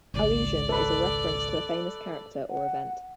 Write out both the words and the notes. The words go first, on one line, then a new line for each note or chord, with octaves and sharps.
Allusion is a reference to a famous character or event.
G#1 C#2 D5
A4 B4
F#5